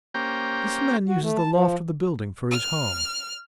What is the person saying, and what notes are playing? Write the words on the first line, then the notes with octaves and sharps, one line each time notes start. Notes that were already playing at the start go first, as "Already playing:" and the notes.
This man uses the loft of the building for his home.
A#3 C#4 G4 C5 G5 A#5
F#4
A3
A5
F3
F6